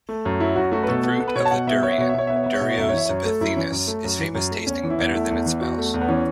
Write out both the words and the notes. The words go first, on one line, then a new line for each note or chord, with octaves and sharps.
The fruit of the durian, "Durio zibethinus" is famous, tasting better than it smells.
A3
F#2
F#3 E4
F#2 F#4
A3 F#4
B4
B2 A4
B3
B3
B4
B2 C#5
A5
B2 F#5
B3 E5
B3 C#5
E5
B2 C#5
E5
B2 C#5
B3 E5
C#5
B3 E5
C#5
B2 E5
C#5
F#2 E5
C#5
E3 E5
F#2 C#5
A3 A4
F#2 E4
E3 C#4
F#2
A3
F#2
E3
F#2
A3
E2 C#4
E3
E4
E2
A3 E4
E2
E3
E2 F#4
A3
E2
B3
E3 C#4